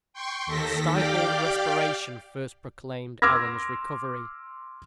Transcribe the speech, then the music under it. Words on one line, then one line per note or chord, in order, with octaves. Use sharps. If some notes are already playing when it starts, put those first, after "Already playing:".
Stifled respiration first proclaimed Eleanor's recovery.
G5 C6 C#6
D#2 D#3 A4 A#6 B6
G4 D5 F5 G5 D6
C6 D6 E6 F6 G#6 A#6